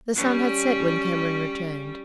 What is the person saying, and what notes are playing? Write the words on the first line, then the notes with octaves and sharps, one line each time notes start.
The sun had set when Cameron returned.
G3 C#4